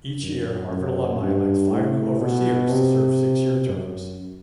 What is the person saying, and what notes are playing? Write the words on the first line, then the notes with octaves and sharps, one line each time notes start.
Each year, Harvard alumni elect five new overseers to serve six-year terms.
F#2
F#2
G2
A2
B2
C3
F#2